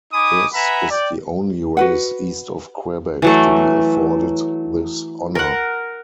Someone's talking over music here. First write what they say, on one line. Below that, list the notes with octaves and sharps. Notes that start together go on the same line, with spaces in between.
This is the only race east of Quebec to be afforded this honour.
D#4 G#5 B5 D6 D#6
B4 E5 F#5 G#5 A#5 B5
D5 G5
F#4 B4 F#5
E3 F#3 A3
A#4 F#5